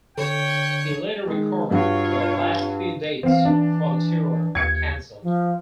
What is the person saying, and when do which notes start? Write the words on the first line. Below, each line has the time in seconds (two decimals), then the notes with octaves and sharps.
He later recovered but the last few dates for the tour were cancelled.
0.18 D3 C#5 G5
1.27 D#3 G#3
1.71 G2 F4 F#4 C#5
3.23 E3 C4 F5
3.45 D4
4.55 D#2 G#6 C#7
5.23 F3